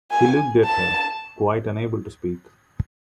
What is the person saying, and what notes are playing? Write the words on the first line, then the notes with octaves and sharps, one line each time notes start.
He looked at her, quite unable to speak.
G#5
A5